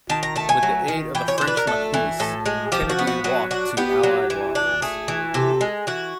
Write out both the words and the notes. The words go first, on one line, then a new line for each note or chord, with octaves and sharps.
With the aid of the French Maquis, Kennedy walked to Allied lines.
D#3 A5
A#5
A3 A5
G#5
F#3
D#3
E3 G5
C#5
D4 C5
B4
A#4
A3 A4
E3
A2 A4
G#3 G#4
F3 G4
F#4
B3
F#4
F#3 F#4
D4 F#4
B3 G4
F#3
E3
D4
A3 G#4
E3
C3 A4
G#3
E3 F#4